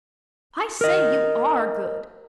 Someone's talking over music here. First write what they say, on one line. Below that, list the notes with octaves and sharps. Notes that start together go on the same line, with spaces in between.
'I say, you ARE good.'
A#4 D#5